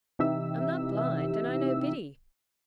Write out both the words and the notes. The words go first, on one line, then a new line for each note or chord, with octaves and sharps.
'I'm not blind, and I know Biddy.
C3 E3 D#4 G4 E5 E6